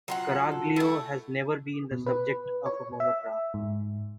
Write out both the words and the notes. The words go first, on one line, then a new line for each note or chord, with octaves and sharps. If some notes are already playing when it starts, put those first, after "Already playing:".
Caraglio has never been the subject of a monograph.
F#3 F4 F#5
A4
A3 E4
B2
B4
C#5
E5
G#2